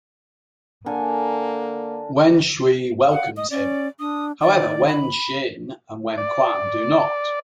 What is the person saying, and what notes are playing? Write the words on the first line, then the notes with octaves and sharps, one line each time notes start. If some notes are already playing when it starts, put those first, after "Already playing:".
Wen Shui welcomes him; however Wen Xin and Wen Quan do not.
D3 A#3 A#4 G#5
F5 F#5
D#5 D#6
C#4 D5
D4 D#6
D#3 D5
B5
D5